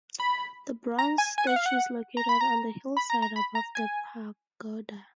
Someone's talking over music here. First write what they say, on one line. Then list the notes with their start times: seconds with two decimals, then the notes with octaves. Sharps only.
The bronze statue is located on the hillside above the pagoda.
0.20 B5
0.99 A#5
1.18 G#5
1.38 G#5
1.47 F#5
1.56 F5
1.66 F#5
2.17 A#5
2.29 B5
2.41 A#5
2.97 B5
3.10 A#5
3.22 A#5
3.36 B5
3.55 A#5
3.75 G#5